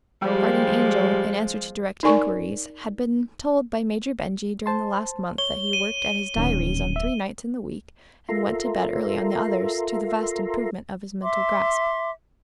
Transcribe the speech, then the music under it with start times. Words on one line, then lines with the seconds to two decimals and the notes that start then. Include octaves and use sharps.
Guardian Angel, in answer to direct inquiries, had been told by Major Benjy during the last month that he worked at his diaries on three nights in the week and went to bed early on the others, to the vast improvement of his mental grasp.
0.22 F3 G3 G#3
2.03 D#4 A#4 D5 G#5 C#6
4.66 C5 A5 C6
5.38 C#5 G7
5.73 D#7
6.36 D1 A#2 D#3 C#4
6.96 E5
8.29 F4 A4 A#4 E5 A#5 C6
11.22 E5 C6 D6